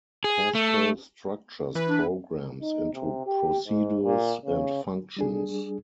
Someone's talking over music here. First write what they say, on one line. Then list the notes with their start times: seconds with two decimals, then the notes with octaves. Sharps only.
Pascal structures programs into procedures and functions.
0.24 G#4
0.55 A3
1.75 E3 B4
1.90 D4
2.61 D#4
2.94 C3
3.26 G4
3.67 G#2
4.04 A#2
4.45 C#3
5.17 G3 D4 G#4